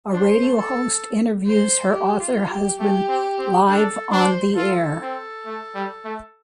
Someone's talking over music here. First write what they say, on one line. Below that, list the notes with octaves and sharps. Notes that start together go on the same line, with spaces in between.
A radio host interviews her author husband live on the air.
D4 C5
A3
A4
C5
G4
F4
G4
A3 G4
C4
C4
D4 A4
D4 C5
F4 A4
C4
A3
G3
A3